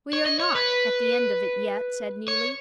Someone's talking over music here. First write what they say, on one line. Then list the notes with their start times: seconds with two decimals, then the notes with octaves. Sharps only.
"We are not at the end of it yet," said Neelie.
0.13 C#5
0.26 D#5
0.39 C#5
0.55 B4
2.28 C#5